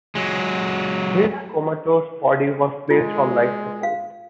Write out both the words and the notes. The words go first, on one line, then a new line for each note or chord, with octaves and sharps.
His comatose body was placed on life support.
F#3 G#3
G#3 F4
F5